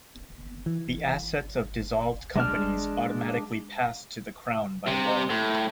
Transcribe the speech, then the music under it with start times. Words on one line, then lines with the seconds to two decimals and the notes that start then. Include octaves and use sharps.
The assets of dissolved companies automatically pass to the Crown by law.
0.66 E3
2.36 G#3 D4 F6
4.88 C3
5.30 A2